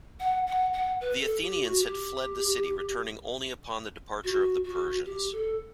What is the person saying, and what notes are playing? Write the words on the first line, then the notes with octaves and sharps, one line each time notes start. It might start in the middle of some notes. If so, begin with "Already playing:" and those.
The Athenians had fled the city, returning only upon the departure of the Persians.
F#5
F#5
F#5
B4
A4
G4
F#4
G4
F#4
F#4
G4
A4